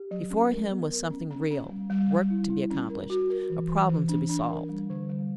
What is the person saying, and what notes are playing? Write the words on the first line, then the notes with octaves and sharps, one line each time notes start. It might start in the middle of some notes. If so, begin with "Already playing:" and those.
Before him was something real--work to be accomplished--a problem to be solved.
Already playing: G4
F#3
C#4
A#4
B3
A#4
C#4
C#4
C#4
G3
G3
G3
E4
E4
C#4
A#4
F#4
A#4
E3
E3
E3
D4
D4
A#4
G3
D3
G3